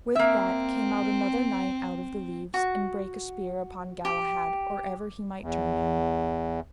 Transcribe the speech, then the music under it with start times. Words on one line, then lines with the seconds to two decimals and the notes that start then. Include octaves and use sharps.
With that came out another knight out of the leaves, and brake a spear upon Galahad or ever he might turn him.
0.15 A#3 C4 E5
2.54 F#4
4.05 G4
5.41 E2